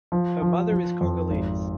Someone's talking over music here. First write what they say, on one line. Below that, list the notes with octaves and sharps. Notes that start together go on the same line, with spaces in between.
Her mother is Congolese.
F3
F3
F3
F2
G#1